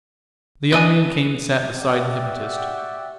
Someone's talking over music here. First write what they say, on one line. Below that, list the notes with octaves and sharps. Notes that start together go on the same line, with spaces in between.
The young man came and sat beside the hypnotist.
D4 B4 D#5 G#5
F#4 G4 D5 E5 F#5 G5